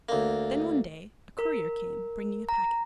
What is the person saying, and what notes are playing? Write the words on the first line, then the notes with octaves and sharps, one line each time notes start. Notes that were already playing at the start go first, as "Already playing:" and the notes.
Then one day a courier came, bringing a packet.
D2 A#3
A#4
A#5